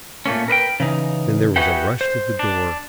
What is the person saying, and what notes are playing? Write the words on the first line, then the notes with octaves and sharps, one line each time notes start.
Then there was a rush to the door.
A#2 A3 A#3 C#4
A#4 B4 D#5 G5
C#3 E3 D#4
F#4 G#4 B4 E5 F#5 G5
C5
D4